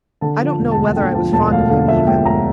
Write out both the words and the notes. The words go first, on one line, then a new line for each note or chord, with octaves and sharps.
I don't know whether I was fond of you even.
D3 A5
F3
A5
E1
A5
D2
D3 G5
F3 A5
E1 A5
D2 F5
D3 F5
F3 E5
E1 G5
D2 A#5